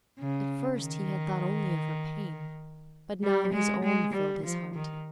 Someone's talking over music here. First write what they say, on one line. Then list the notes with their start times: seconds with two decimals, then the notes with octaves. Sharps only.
At first he had thought only of her pain, but now his own filled his heart.
0.19 C#3
0.80 D#3
3.23 G3
3.53 G#3
3.83 G#3
4.13 G3
4.43 F3
4.74 D#3